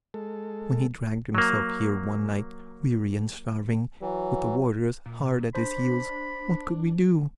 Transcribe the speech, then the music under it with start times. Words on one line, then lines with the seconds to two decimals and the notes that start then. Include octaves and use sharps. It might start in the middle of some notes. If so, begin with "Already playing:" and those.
When he dragged himself here one night, weary and starving, with the warders hard at his heels, what could we do?
0.14 G#3 A4
1.35 F#3 A#3
4.02 E3 F#3
5.06 A#2
5.55 D4 C5 B5